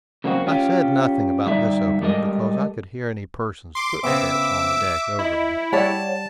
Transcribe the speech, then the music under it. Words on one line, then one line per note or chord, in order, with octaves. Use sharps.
I said nothing about this opening, because I could hear any person's footsteps on the deck over me.
C#3 F#3 A#3 C4 F4 F#4
C#4 F4 G4
G2 D3 D#4 E5
G3 G#3 G4 A4 A#4 D#5
C6 D6
C#3 B3 C4 E5 D6 E6
E4 D#5
G3 F#4 C#5 D5 F#5 A5